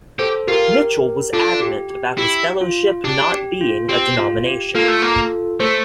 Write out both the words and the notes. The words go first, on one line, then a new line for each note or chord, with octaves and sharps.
Mitchell was adamant about his fellowship not being a denomination.
G4 A4 C5
F4 G4 A#4
D4 F4 A4
G4
G4
E4 G4
F4
D4 G4
G4
F4
C4 G4
F4
G4
A#3 F4 A4
A3
A#3
A3 A4 C5